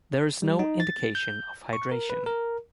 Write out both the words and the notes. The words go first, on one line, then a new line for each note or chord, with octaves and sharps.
There is no indication of hydration.
G3
D#4
A6
G6
C#6
A#4
B4
A#4